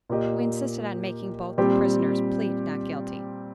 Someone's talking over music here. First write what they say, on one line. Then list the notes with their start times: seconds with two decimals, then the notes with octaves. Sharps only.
We insisted on making both the prisoners plead not guilty.
0.10 A#2 A#3 G4 D#5
1.58 A#2 G3 C4 G4 C5